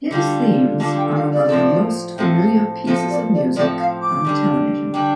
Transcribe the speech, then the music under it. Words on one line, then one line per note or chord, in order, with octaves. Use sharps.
His themes are among "the most familiar pieces of music on television".
D3 G3 F4 A4
D3 G3 F4 A4 A5
G5
G5
F5
D5
A2 F3 C4 A4
A2 F3 C4 A4
A2 F3 C4 A4 C5
D5
D5
A2 F3 C4 A4 D5
F5
D6
D3 G3 D4
D3 G3 D4 G5